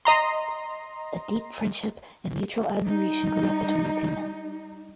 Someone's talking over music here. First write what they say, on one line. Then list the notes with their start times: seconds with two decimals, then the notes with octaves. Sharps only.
A deep friendship and mutual admiration grew up between the two men.
0.05 D#5 A#5 C6
2.85 G3 D#4